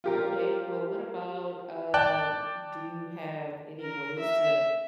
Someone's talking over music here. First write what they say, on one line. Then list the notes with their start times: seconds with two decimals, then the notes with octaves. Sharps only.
Okay, well, what about, um, do you have any ways to
0.04 F4 G4 A#4
1.94 D5 G5 A5 D6 F#6
3.79 A#4
4.19 E5